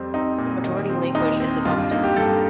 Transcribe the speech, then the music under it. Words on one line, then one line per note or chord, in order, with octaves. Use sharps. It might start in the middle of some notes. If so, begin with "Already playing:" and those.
The majority language is Umbundu.
Already playing: F2 G3 C4
C4 D#4
A#2
D#3
C4
D#2 D#4
C4
G2 F4
F4
A#3 D#4
G4
G2 A4